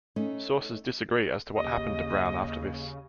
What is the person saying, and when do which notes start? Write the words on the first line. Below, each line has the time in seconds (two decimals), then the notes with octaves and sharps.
Sources disagree as to what happened to Brown after this.
0.16 A3 C#4 D#4
1.54 D#2 C#3 D#5